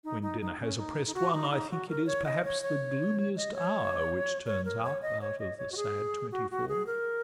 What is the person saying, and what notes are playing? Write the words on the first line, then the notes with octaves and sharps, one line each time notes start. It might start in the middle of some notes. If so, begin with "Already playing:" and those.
When dinner has opprest one, I think it is perhaps the gloomiest hour Which turns up out of the sad twenty-four.
D#4
D#4
D#4
C#4
D#4
D#4
F#4
D#4
D#4
F#4
A#4
C#5
D#5
C#5
C#5
D#5
C#5
C#5
A#4
C#5
D#5
C#5
D#5
C#5
F#4
G#4
F#4
F#4
G#4
A#4